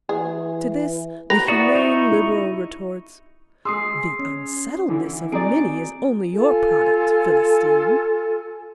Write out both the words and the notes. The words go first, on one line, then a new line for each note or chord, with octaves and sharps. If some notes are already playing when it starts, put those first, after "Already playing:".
To this the humane liberal retorts: The unsettledness of many is only your product, Philistine!
E3 G#4
G4 B4 A#5
E4 F#4 D5 D#6
D#4 C#6
G#3 G#4 C6 D#6 E6 C7
C#4
D3 E3 E4
C4 F#4 G#4 D5 A#5 D7
F4 A4 G#5